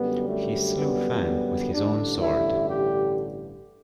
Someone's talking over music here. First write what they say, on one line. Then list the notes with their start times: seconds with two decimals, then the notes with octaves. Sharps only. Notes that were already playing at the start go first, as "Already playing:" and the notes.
He slew Feng with his own sword.
Already playing: F#2 D3 G3 B3
0.28 A3
0.76 B3
1.73 A1 G2 D3 D4
2.20 E4
2.68 G4